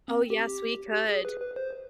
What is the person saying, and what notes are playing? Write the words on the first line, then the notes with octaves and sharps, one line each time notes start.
Oh, yes, we could.
C4
G4
G4
G#4
B4
B4
C5